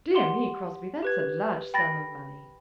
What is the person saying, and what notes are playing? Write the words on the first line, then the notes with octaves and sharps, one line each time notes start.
"Dear me, Crosbie; that's a large sum of money."
G4 F#5 C6 G7
G4 B4 G#6
G5 B5 A6 A#6